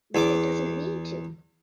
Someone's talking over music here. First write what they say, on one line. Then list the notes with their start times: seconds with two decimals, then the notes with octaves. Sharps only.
But it doesn’t need to.
0.15 E2 D6